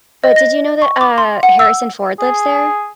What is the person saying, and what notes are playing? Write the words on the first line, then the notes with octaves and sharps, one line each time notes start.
but did you know that, uh, Harrison Ford lives there?
D#5
A#6
C#6
D6
C6
F#5
E6
G#4